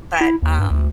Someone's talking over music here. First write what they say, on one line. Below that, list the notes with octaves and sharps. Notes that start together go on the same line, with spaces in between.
But, um,
E4
D#2
G2
D2